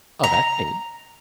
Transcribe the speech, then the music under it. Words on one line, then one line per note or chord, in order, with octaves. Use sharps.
Oh, that's neat.
A#5